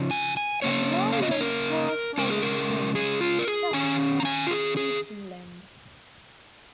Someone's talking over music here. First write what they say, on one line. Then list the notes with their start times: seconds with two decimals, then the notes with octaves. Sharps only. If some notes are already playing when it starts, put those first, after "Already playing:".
It lies on the far side of the Moon, just past the eastern limb.
Already playing: C#3 F3 C#4
0.11 G#5
0.37 G#5
0.62 C#3 A#3 C#4 C#5
1.13 F5
1.22 D#5
1.31 C#5
1.41 A#4
2.18 C#3 G#3 C#4 A#4
2.30 G#4
2.42 A#4
2.95 G#4
3.21 F4
3.39 A#4
3.48 G#4
3.73 D#3 C#4 G#5
4.20 A#5
4.25 G#5
4.47 F4
4.50 G#4
4.77 G#4